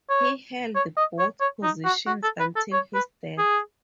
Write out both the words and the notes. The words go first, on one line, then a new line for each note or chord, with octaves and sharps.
He held both positions until his death.
C#5
C#5
D#5
C#5
C#5
D#4
F#4
F#4
A4
B4
A4
C#5
B4
G#4